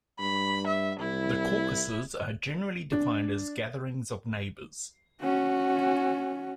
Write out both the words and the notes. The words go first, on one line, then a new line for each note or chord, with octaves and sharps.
The caucuses are generally defined as gatherings of neighbors.
G2 B5
E5
C2 E4
D4
C#4 F#4